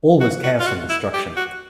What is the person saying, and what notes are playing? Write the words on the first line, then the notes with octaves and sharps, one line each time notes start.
All was chaos and destruction.
F#4
F#4
F4
F#4
E4
G4
F#4